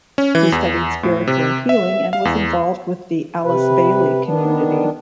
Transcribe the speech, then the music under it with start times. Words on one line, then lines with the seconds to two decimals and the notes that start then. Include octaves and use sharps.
He studied spiritual healing, and was involved with the Alice Bailey community.
0.18 C#4
0.35 E3
0.52 E2
1.03 A2
1.27 C3
1.69 E5
2.13 F5
2.25 E2
3.44 C3 B4
4.25 D#3 B3 D4